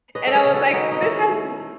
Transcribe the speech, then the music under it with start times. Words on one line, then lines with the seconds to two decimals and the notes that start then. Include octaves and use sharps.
and I was like, "This has b
0.15 C#4 B4 D#5
0.27 A4
0.35 G#4 B4
0.45 C#3
0.54 F#4 A4
0.73 D#3 D#4 F#4
0.91 D#4
1.02 D#3 C#4 E4
1.31 A3
1.60 A3